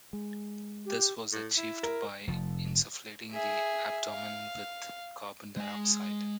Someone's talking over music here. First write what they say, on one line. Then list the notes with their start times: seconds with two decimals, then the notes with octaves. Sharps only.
This was achieved by insufflating the abdomen with carbon dioxide.
0.13 G#3
0.85 G4
1.32 A2
1.57 E4
1.83 A#4
2.28 F1 F3
3.31 G#4 E5
4.09 F5
5.57 G#3 G#5